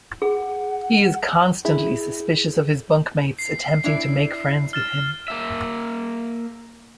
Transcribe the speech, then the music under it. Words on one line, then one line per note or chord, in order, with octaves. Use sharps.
He is constantly suspicious of his bunkmates attempting to make friends with him.
G#4 F#5
E4 G#4
C7
D4 E4 D5
F6 A6 E7
A#3 E5